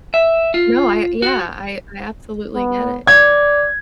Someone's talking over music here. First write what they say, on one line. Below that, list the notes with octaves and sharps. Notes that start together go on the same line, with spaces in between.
No, I a yeah, I I absolutely get it.
E5
F4
F#4
B3
D5 G#6